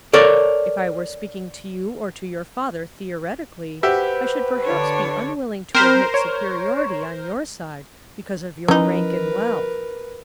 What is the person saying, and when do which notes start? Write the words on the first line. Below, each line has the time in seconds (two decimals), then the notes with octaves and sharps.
If I were speaking to you or to your father theoretically I should perhaps be unwilling to admit superiority on your side because of your rank and wealth.
0.13 A4 A#4 C#5 D5
3.83 F#4 G4 B4 C5 E5
4.63 D3 D4 C#5
5.75 C4 A#4 C5 B5
6.14 C#5
8.68 E3 F3 C#4 D#4 A#4 B4